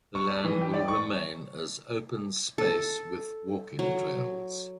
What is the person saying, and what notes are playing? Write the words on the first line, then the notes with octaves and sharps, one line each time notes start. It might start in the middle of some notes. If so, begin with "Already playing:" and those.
The land will remain as open space with walking trails.
C#6
G3
E3
G4
D5
C#6
A4
F#3